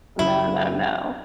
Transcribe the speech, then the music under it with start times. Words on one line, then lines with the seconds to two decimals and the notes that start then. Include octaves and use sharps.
No, no, no.
0.19 F#2 C#3 F#3 E4